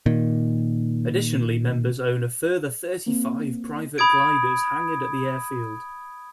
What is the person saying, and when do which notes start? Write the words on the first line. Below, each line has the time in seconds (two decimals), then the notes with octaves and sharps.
Additionally members own a further thirty five private gliders hangared at the airfield.
0.06 A#2 D#3
3.06 A#3 C4
3.98 B5 D#6 G#6 D7